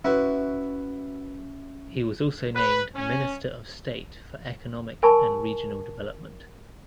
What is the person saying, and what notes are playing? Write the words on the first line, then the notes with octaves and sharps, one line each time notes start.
He was also named "Minister of State for Economic and Regional Development".
C#4 E4 F#4 B4 E5
B4
C#4
A#4 G#5 A5 B5 C#6